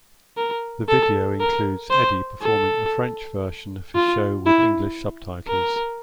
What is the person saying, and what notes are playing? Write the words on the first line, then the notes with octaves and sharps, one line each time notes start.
The video includes Eddie performing a French version of his show with English subtitles.
A#4
A4
A#4
C5
A4
F4
E4
A#4